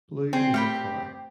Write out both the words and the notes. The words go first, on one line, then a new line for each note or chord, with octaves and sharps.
Blue is a colour.
C4 G#4
A3 G4 G5 B5